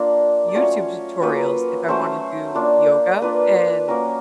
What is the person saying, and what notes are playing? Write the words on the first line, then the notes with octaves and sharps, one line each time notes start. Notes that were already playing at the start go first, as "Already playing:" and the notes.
YouTube tutorials if I wanna do yoga, and,
Already playing: A#3 D4 F4
D5
F#3 A3 C#4 F4 C#5
F#3 A#3 C#4 F4 B4
F#3 A3 C#4 C5
A#3 D4 F4
A#3 D4 F4 B4
F#3 A#3 C#4 A#4